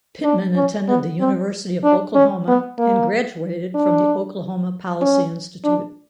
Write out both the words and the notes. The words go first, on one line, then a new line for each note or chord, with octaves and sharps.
Pittman attended the University of Oklahoma and graduated from the Oklahoma Policy Institute.
D4
C#4
B3
C4
D4
C#4
B3
A#3
D4
C#4
D4